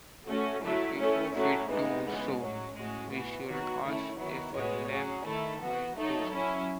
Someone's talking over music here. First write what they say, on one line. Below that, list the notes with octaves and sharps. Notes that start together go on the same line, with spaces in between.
But before we do so we should ask if a lamb might do.
A3 C#4 F#4
F#3 A3 E4
A3 C#4 E4 A4 C#5
A2 F#3 A3 C#4 E4
E3 G#3 B3 D#4
C#3 E3 G#3 B3
A2 F#3 C#4
A2 G#3 C#4 F#4
E3 B3 F#4
D#3 F#3 B3 F#4
D#3 A3 C#4 E4
D#3 F#3 B3 E4
A2 G#3 B3 F#4 C#5
F#3 C#4 G#4
D#3 A3 E4 A4
E3 B3 F#4
F#3 A3 D#4 A4 C#5
F#3 C#4 E4